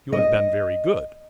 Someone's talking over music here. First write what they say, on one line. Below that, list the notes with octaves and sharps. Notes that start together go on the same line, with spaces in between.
You have been very good.
D#5